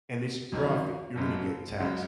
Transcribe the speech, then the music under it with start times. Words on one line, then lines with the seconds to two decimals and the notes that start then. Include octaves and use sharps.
and it's profit, you're going to get taxed
0.52 F2 D#3 F#3 C#4
1.16 F#1 F#2 C#3
1.80 F#2 C#3 G#3